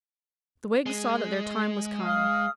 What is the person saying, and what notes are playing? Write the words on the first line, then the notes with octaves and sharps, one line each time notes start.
The Whigs saw that their time was come.
G#3
F5 D#6 F6